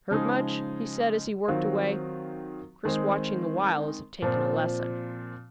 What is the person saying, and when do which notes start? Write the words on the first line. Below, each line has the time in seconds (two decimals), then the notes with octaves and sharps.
"Hurt much?" he said, as he worked away, Chris watching the while as if taking a lesson.
0.11 C#3 F3 G#3 D#4
1.48 D#3 F#3 C4 F4
2.85 D#3 G#3 C4 D#4
4.22 A#2 F3 C4